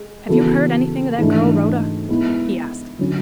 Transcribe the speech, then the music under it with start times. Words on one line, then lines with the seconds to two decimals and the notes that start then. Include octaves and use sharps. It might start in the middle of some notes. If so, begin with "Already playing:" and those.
"Have you heard anything of that girl Rhoda?" he asked.
Already playing: G#3
0.29 C#3 E3 B3 F#4 A4
1.18 G#2 E3 A3 D4
2.09 G#3 B3 E4
2.99 D3 F#3 C#4